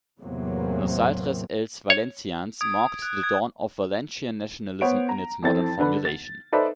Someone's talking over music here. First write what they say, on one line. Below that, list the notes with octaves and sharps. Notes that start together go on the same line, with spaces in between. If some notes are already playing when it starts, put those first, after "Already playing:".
"Nosaltres, els valencians" marked the dawn of Valencian nationalism in its modern formulation.
E2 A2 C3 F#3 A#3 C4
C#5
D#6 G#6 D7
F#6
G#6
B3 C5 C#5 F#5 D7
A#5
F2 E3 C4 A4 A6
D3 D4 B4
A6
D#4 A4 B4 C5 D5 E5